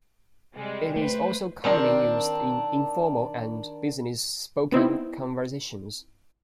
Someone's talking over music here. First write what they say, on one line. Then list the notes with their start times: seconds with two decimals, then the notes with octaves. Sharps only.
It is also commonly used in informal and business spoken conversations.
0.54 C3 G3 G#3
0.96 A3 B4 C5
1.64 D#3 C4 D4 A#4
4.72 B3 C4 D#4 E4